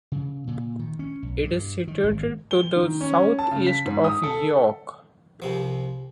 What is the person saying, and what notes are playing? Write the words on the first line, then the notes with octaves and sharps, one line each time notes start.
It is situated to the south east of York.
C#3
A#2
D#3
C#4
B1
G2
D#3
G#1
G7
D#3
C#4
A5
C#3
B6
G#2
D#6
A4
C2 C3 F3